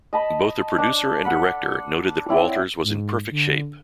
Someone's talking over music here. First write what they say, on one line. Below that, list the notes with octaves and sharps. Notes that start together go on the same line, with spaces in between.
Both the producer and director noted that Walters was in perfect shape.
D#5 A5 B5
D4 A5
A4 F#5 B5
C4 E4 C#5 D5
G#2
D3